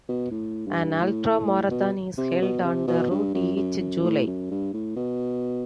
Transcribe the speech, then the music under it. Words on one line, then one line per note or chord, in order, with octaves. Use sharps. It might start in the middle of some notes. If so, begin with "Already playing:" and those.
An ultramarathon is held on the route each July.
B2
A2
G2
A2
B2
C3
B2
C3
B2
G2
F#2
F#2
F#2
A2
F#2
G2
A2
B2